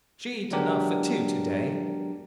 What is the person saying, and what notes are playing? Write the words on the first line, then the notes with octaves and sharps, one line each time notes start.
She eat enough for two to-day.
F#3 G#3 B3 D4 G4 A#4